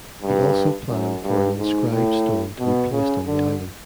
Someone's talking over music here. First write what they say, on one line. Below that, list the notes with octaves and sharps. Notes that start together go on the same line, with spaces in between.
He also planned for an inscribed stone to be placed on the island.
G2
F#2
G2
G#2
A2
B2
C#3
D3